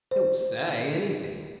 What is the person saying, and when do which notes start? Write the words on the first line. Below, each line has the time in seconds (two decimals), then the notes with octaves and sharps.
He'll SAY anything.'
0.11 C5